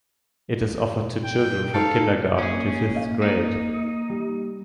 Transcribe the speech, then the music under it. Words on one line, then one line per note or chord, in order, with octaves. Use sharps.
It is offered to children from Kindergarten to Fifth grade.
G5
D#4 A4 F5
A#3 C#4 G#4
D#5 F5
D#4
G3